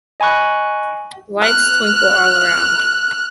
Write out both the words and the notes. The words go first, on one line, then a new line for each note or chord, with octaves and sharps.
Lights twinkle all around.
D#5 G#5 B5 C#6 F#6
F6 F#6